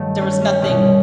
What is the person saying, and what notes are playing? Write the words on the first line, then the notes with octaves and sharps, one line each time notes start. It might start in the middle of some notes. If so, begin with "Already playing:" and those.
there was nothing,
Already playing: G2 D#3 F#3 A3
C#4
C#4
C2 B2 G3 C#4